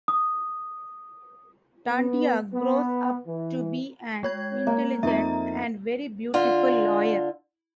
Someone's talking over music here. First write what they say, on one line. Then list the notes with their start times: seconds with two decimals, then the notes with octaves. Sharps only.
Tandia grows up to be an intelligent and very beautiful lawyer.
0.08 D#6
1.89 B3
2.53 B3
3.26 E3
4.23 G#3 C#5 G#6
4.67 A#3
5.03 F2 D#4 E5 A#5
6.34 D3 F4